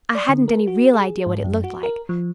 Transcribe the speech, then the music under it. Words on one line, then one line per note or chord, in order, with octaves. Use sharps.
I hadn't any real idea what it looked like.
D5
D3
A#4
F#4
G#4
G#2
F#2
F#4
A#4
F3